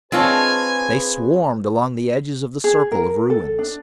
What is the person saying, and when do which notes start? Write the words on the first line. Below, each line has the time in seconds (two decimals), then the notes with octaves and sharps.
They swarmed along the edges of the circle of ruins.
0.12 G#3 C4 D4 F4 G#4 B4 C#5 G#5
2.64 G#4
2.92 A#4
3.30 A4
3.59 D4